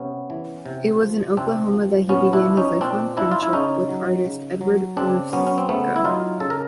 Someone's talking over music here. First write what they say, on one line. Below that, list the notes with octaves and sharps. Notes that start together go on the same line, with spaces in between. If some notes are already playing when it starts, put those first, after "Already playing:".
It was in Oklahoma that he began his lifelong friendship with artist Edward Ruscha.
Already playing: C3 B3 C#4
E3
C3
F3
C3 C4 D4
F3
A#2 B3 C#4
D4 E4
F3
C#4 D#4
A#2 C4 D4
F3 D4 E4
F4
E4
C#3 C#4 D#4
F#3
C#3
F#3
C#3 C4 D4
F#3 B3 C#4
C#4
C4
C#3 A3 B3
E4
F#3 D#4 F4
C#3 A4
A#4